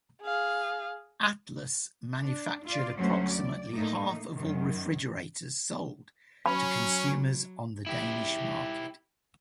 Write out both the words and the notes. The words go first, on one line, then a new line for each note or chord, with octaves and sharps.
Atlas manufactured approximately half of all refrigerators sold to consumers on the Danish market.
G#4 F5
D4
F4 D5
D2 F#3 G3 A3 C#4 C5
D5
A2 A3 A#3 D#4
F#2 D#3
F#3 C#4 B5
E4 G4